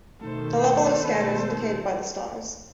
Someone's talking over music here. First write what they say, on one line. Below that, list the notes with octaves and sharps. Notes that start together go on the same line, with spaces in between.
The level of a Scouter is indicated by the stars.
B2 D#3 A3 A4 C5